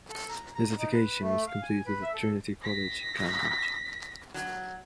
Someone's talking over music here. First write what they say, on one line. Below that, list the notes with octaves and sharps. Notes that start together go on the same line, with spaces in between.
His education was completed at Trinity College, Cambridge.
A4
A#5
A#5
D#4
B4
A3
F5
G#5
B4
E5
A4
A#6 B6
F#3